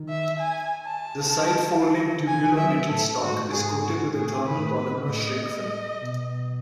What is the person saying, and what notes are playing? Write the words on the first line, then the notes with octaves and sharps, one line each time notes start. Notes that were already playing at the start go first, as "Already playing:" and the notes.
The side-folding tubular metal stock is coated with a thermal polymer shrink film.
Already playing: D#3
E5
G#5
A5
E3 G#5
F#3 E5
A2 A4
G#2 F#4
A2
G#2
G#4
F#4
A2 G#4
B4
G#2
A2
B4
A2 D#5
B2